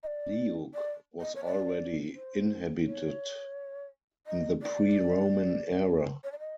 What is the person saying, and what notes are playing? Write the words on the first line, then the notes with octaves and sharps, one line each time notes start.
Leuk was already inhabited in the pre-Roman era.
D#5
D5
D5
D#5
C#5
D5
C5
C#5
D#5
D5
C#5
D5
D#5